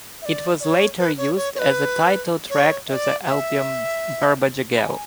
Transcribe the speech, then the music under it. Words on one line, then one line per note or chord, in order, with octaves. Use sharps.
It was later used as title track to the album "Barabajagal".
E5
D5
D5
C#5
B4
C#5
C#5
C#5
B4
C#5
E5
D5
E5
B5
G#5